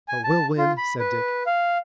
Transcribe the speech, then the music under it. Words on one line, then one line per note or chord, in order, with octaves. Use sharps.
"But we'll win!" said Dick.
G#5
A5
F4
B5
B4
F5